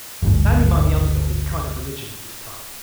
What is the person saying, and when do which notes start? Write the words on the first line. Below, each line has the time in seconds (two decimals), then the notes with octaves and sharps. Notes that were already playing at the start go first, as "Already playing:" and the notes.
Standing by the under dog is a kind of religion with this type.
0.22 D1 G1 D2 G#2